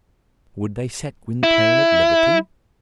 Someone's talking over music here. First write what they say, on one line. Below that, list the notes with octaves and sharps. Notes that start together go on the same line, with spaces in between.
Would they set Gwynplaine at liberty?
E4